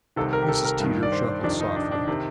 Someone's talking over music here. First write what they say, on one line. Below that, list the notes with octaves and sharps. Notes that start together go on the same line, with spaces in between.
Mrs. Teeter chuckled softly.
C2 C3 D#3 A4
A#4
G4
A4
A#4
G2 D#3
D5
C5
F2 C3 D#3 D4
D#4
D4
D4
C3 D#3